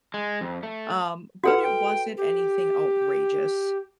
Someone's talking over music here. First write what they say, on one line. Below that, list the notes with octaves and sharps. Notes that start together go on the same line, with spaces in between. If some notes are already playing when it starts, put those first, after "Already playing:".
um, but it wasn't anything outrageous,
G#3
F2
A3
F#4 A4 B4 F#5
G5
G4